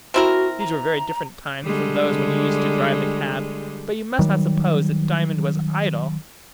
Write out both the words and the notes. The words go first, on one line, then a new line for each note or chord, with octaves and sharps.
These were very different times from those when he used to drive the cab, but you must not suppose that Diamond was idle.
C4 E4 F#4 A#4
A#5
D3 G3 G#3
D#3 F#3 G3